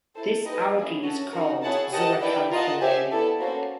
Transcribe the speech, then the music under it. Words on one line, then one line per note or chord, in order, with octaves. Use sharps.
This algae is called zooxanthellae.
E4 A4 C5
D#4 G4 B4 D#5
A#3 C#4 E4 G#4
C#4 F#4 A4
D#4 F#4 A#4
E4 G#4 C#5 F#5 A5
G4 A#4 D#5 F#5 A5
E4 G4 B4 D5 G5
F4 A#4 D#5 F#5 A5
G4 C5 E5 G#5
B3 E4 A4 D5
A#3 C#4 F#4 A4 C5